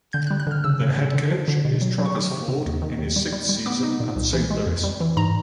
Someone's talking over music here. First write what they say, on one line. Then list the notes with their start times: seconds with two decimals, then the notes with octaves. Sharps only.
Their head coach is Travis Ford in his sixth season at Saint Louis.
0.13 D3 G6
0.27 F#6
0.31 G3
0.40 F#6
0.47 D3 F6
0.64 C#3 E6
0.81 C#3
0.98 C#3
1.14 D3
1.31 F3
1.48 D3
1.65 B2
1.82 F#3
1.98 F#3
2.06 C#6
2.15 D#3 D6
2.31 C3
2.48 C3
2.66 D#2
2.82 D#3
2.98 D#2
3.16 G3
3.32 G3
3.49 G3
3.66 B3 D6
3.83 D#4
4.00 A#2
4.16 C2
4.33 E3
4.51 G#3
4.67 F2
4.83 G3
5.00 E3
5.16 G#2 A#5